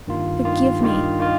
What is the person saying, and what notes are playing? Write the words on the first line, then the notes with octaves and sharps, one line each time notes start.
Forgive me!
G2 D#3 A#3 F4
G2 D#3 A#3 F4
G2 D#3 A#3 F4
D#3 A#3 F4